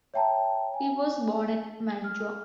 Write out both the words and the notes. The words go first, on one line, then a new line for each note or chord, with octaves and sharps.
He was born at Mantua.
C#5 E5 G5 A5 A#5
G#5
F6